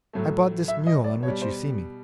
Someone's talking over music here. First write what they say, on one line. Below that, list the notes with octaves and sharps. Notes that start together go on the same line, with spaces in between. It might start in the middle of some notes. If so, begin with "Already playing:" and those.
'I bought this mule on which you see me.'
A2 F#3 A3
E5
D#5
D5
B2 C#5
G3
C5